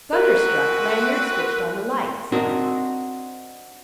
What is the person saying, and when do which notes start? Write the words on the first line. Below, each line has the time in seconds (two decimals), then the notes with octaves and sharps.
Thunderstruck, Lanyard switched on the lights.
0.13 C4 F#4 A#4 B4
2.32 C4 D4 D#4 F#4 A#4